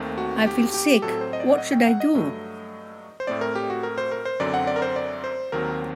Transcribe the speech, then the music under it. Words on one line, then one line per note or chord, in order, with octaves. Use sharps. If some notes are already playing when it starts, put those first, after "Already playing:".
I feel sick, what should I do?
Already playing: D#2 D#3 A3 C4
F#4
G4
G4
A2 F#3 C4 A4
C5
D#5
D5
F#5
D#5
G5
F#5
D#5
G2 F#3 A3
C5
A2 A3 C4 D5
A#4
G4
F#4
A#4
C5
A#4
C5
F#2 D3 F#3 C4 D5
F#5
D5
A#4
C5
D5
C5
D#2 D#3 F#3 C4 A#4